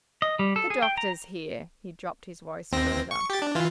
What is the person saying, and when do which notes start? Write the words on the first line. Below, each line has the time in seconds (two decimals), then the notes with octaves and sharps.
"The doctors here." He dropped his voice further.
0.22 D#5
0.39 G3
0.56 A4
0.70 G#4
0.83 G5
0.98 A#5
2.72 D#2 C4 A#6
3.11 C#6
3.30 G4 A6
3.42 D4
3.55 E3 F4